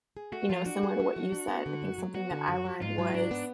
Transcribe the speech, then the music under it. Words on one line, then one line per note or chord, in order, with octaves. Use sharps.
you know, similar to what you said, I think something that I learned was,
G#4
A3 F#4
F3 F4
D4 F#4
G#4
A3
F3
D4
B3
D3
F#2
F#3
B3 F#4
D3
F#2
F#3
G#2 F4
F#3
G#2 D4
B3